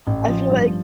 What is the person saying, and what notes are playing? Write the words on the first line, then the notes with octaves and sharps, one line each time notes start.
I feel like
A1
F3
G2